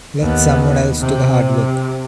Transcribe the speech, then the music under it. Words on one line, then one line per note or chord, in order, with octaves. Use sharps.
Let someone else to the hard work.
D#2 B3
C3